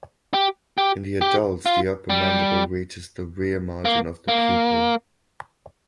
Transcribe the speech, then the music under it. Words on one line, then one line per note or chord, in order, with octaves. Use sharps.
In the adults the upper mandible reaches the rear margin of the pupil.
G4
G4
G4
F4
G3
A#3
A#3